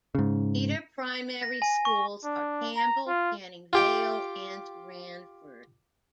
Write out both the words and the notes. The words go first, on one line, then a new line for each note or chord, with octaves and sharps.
Feeder primary schools are Campbell, Canning Vale and Ranford.
G#2 C#3
A#6
G#5
C#6
D4
A#5
F4
F4 G4 G5